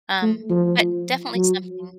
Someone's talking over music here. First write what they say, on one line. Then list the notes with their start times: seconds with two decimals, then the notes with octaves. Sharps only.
um, but definitely something.
0.22 A3
0.50 F3
1.35 F#3